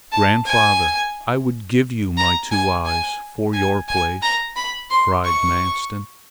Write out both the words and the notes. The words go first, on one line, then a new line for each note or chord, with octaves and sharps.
"Grandfather, I would give you my two eyes for your place!" cried Manstin.
A5
G#5
A#5
G#5
G#5
G#5
G#5
A#5
B5
C6
C#6